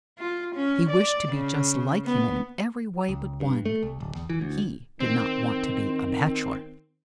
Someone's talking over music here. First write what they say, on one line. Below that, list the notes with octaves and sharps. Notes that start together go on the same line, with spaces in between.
He wished to be just like him in every way but one; he did not want to be a bachelor.
F4
C#4
D5
C#3
B3
C#2
G2
A3
C2
D1
E2
E3
D2
D#3 C4